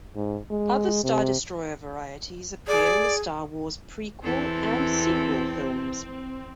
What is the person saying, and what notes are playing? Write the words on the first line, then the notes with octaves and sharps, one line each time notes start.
Other Star Destroyer varieties appear in the "Star Wars" prequel and sequel films.
G#2
G#3
C3
G#4 D5
E2 E3 C4 A4